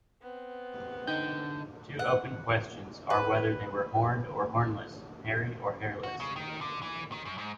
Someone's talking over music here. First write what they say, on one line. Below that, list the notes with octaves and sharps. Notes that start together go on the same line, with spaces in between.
Two open questions are whether they were horned or hornless, hairy or hairless.
B3 C4
D3 D#4 G5 G6
F#5
B4
F#4
C#3
D#3
D3
E3
D#3
F#2
G#2